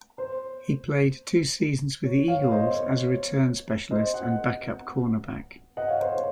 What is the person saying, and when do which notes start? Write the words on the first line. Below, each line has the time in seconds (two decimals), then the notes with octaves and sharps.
He played two seasons with the Eagles as a return specialist and backup cornerback.
0.18 C5
2.04 C#5
2.28 C#5 F5
2.52 C5 D#5
2.75 C#5
3.91 C5 D#5
4.14 D#5 F#5
5.77 D#5 F#5
5.88 C#5 F5
6.00 C5
6.12 C#5